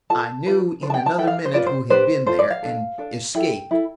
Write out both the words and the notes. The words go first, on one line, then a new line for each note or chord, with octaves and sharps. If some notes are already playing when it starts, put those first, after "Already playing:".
I knew in another minute who had been there, and escaped.
F4 A4 A5
D4 F4 B4
D4 A4 C5 A5
G5
A5
E4 A4 G5
F5
C5
F4 B4 D5
C5
D4 G4 B4 C5
F4 A4 C5
D5
F5
D4 A4
D4 A4
E4 A4 G5
E4 A4